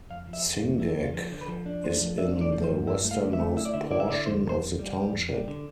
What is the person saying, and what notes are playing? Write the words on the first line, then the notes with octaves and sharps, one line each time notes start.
Singac is in the westernmost portion of the township.
F2 F5
F3
E5
F2
F4
F2
F3 E4
F2
F4
F3
D3
B4
F3 A4
D4
A3 C5
F3
D4 E5
A3
D5
F3
C5
G2
E4 E5
A3
F5
D3
E5
A3
E4 E5
D5
D3 E5
E4 D5
E5
D3 D5
F2 C5
F2
C5
F2
G3
G3
F2
G3
D3